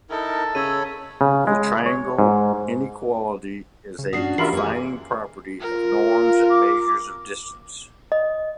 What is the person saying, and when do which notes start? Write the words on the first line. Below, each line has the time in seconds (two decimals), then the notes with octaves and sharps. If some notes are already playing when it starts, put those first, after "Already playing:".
The triangle inequality is a "defining property" of norms and measures of distance.
0.10 D#4 E4 A4 A#4
0.55 C#3 C#5 B5 E6 G#6 D#7
1.21 C#3
1.47 G#3
1.86 C#5
2.19 G#2
3.99 C#3
4.13 G2 C#4 D4 F#4 D#6 C7
4.38 E3 F4 G4 A#4 E5 B5 C7
4.53 F#2 E3 A#3 G#4 C#5
5.60 F4 A#4
6.50 D6
8.12 D#5